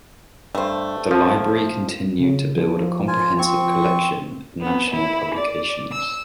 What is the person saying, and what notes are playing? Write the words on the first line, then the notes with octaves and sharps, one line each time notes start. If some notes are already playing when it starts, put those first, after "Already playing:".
The Library continued to build a comprehensive collection of national publications.
G2 A3 C5
F3
C#3
F3
F4 G#5
C4 C#6
B3
E4
D5
E6